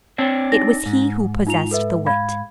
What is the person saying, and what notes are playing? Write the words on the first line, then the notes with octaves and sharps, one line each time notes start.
It was he who possessed the wit.
C4 D4 C#5
D#4 A#6
G#2
D#4 F4 F7
A4 B4 E5
F5 B5 G#6